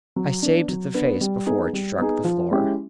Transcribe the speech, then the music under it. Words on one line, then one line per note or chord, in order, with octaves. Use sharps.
I saved the face before it struck the floor.
F#3
B3 D4
F#3
B3 D4
G3
B3 D#4 G#4
G3
B3 D#4 G#4
F3
G#3 C#4 E4 G4